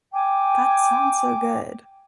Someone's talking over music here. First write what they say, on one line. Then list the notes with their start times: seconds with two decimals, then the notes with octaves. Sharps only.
That sounds so good.
0.12 G5 G#5 D6